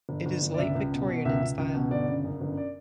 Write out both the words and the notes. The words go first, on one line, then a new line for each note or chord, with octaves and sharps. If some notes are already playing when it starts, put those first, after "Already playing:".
It is Late Victorian in style.
G1
G1
G1
D5
C#2 E5
C#2
B2
B2
C#2 E5
C#2
C#2
B2
G1 D5
C#3
F#2
G1
D5